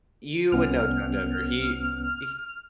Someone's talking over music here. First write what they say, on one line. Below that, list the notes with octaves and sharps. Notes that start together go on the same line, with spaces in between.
You would know John Denver. He h
C2 B3 C#4 F6